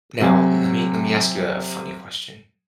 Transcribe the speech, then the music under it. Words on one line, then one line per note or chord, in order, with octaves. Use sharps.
Now let me let me ask you, uh, a funny question
C3 F#3 G#5